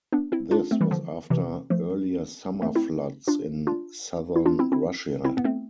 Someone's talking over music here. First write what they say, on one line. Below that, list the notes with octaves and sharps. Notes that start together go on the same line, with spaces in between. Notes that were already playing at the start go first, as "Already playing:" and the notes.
This was after earlier summer floods in southern Russia.
B3 D4
C4 E4
D4 F4
A3 C4
E3 G3
D3 F3
C3 E3
F3 A3
A3 C4
C4 E4
D4 F4
D4 F4
E4
D4 F4
C4 E4
C4 E4
C4 E4
B3
A3 C4